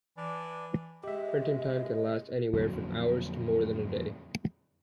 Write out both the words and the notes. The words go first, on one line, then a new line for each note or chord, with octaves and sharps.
Printing time can last anywhere from hours to more than a day.
E3 D4 D5
C#3 G#3 G4 D#5 E5
F2 A#2 D3 F#3